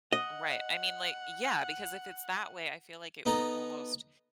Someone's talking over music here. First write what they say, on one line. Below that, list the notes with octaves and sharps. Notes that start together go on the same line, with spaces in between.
Right, I mean, like eh, yeah, because if it's that way, I feel like it would almost
D#5 F#5
B3 D#4 A4 A#5